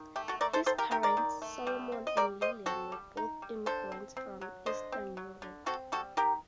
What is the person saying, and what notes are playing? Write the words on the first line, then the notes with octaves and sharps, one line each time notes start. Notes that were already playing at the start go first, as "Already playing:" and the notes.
His parents, Solomon and Lillian, were both immigrants from Eastern Europe.
Already playing: D#3
A3 G4
F#4 A4
A3 A#4 D5
A4 C5
D#3 A4 C5
G4 A#4
D#3 G4 A#4
A#4 D5
D#3
A3
G3
C4
D#5
G3 A#4 D5
G3 C5 D#5
C4 F#4 A4
G3
D#4
G3
D3 A4 C5
C4
C4
F#3
D3 C5 D#5
C4
F#3
D3
C4 F#4 A4
G3 F#4 A4
D#3 G4 A#4